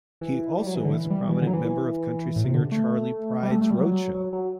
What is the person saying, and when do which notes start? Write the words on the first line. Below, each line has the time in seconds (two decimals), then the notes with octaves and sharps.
He also was a prominent member of country singer Charley Pride's road show.
0.21 E3
0.58 G3
0.66 F#3
0.75 E3
0.84 D3
0.94 E3
1.10 G3
1.29 E3
1.41 D3
1.47 F#3
1.53 E3
1.65 E3
2.36 A2
2.45 C3
2.54 D3
2.72 A3
3.43 G3
3.51 A3
3.61 A3
3.70 G3
3.78 F#3
4.15 F#3
4.33 F#3